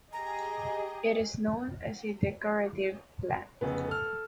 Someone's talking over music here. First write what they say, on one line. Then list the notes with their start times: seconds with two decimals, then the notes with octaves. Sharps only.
It is known as a decorative plant.
0.13 G4 G#4 D#5 A#5
3.61 F1 C#3 B3
3.88 A4 F6